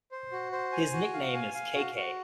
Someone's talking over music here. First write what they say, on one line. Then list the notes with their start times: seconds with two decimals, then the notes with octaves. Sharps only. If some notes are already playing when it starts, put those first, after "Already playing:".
His nickname is K-K.
0.11 C5
0.32 F#4
0.52 C5
0.72 G#5
0.93 F#4
1.14 F5
1.34 G#5
1.54 F5
1.75 F#4
1.95 F#4